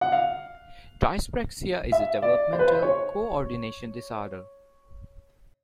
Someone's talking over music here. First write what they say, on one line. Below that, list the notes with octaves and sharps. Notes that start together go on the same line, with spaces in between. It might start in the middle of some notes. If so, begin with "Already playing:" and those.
Dyspraxia is a developmental co-ordination disorder.
F#5
F5
E5
D5
C5
B4
C5
C#5